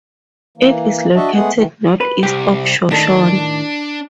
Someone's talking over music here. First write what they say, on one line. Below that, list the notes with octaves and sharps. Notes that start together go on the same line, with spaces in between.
It is located northeast of Shoshone.
E3 A#3
D4 F#4 D#5 E5 A5
G#3 A3 B3 G#4 F#5
D#3 E3
B4
C2 G4
A2 D#3 D4 A4